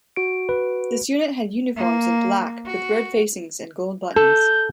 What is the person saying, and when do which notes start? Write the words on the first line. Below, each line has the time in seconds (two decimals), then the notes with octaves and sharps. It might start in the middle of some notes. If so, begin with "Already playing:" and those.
This unit had uniforms in black with red facings and gold buttons.
0.16 F#4 D7
0.49 B4
1.77 A#3
2.66 F#4
4.16 A4 G6